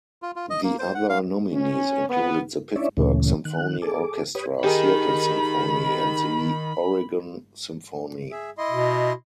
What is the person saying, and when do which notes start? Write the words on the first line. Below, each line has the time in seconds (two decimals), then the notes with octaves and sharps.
The other nominees included the Pittsburgh Symphony Orchestra, Seattle Symphony and The Oregon Symphony.
0.22 F4
0.36 F4
0.50 D#5
0.64 A#3
0.79 C5
0.94 F#5
1.09 F5
1.53 C#4
2.09 B3
2.76 C#4 D4 E4 C#5 D5 E5
2.97 D2 A#2 C#3 E3 A3 C#4
3.45 D#3 F#6
3.82 G#4 A4 D6
4.35 G4 B4 C#5 B5 D#6
4.64 D#3 D#4 G4 G#4 A#4 B5
8.31 G#4 E5
8.58 E4 D#5 C6
8.70 B2